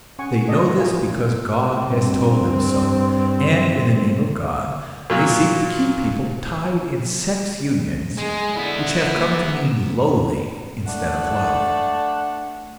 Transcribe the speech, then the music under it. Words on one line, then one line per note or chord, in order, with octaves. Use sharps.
They know this because God has told them so, and in the name of God they seek to keep people tied in sex unions which have come to mean loathing instead of love.
C#4 F#5 G#5 C#6
A4 D5 D#5
E4 F4 A#4 G#5
G2 C4
A#2 F#3 F4
G#3 G#4
D3 B3 E4
A#3
A3 D4 F#5